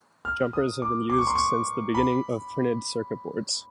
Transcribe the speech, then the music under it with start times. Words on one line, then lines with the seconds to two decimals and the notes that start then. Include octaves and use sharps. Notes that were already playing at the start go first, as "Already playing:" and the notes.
Jumpers have been used since the beginning of printed circuit boards.
0.25 F6
0.53 D#6
0.82 D6
1.10 D6
1.18 C#6
1.27 C6
1.35 C#6
1.95 B5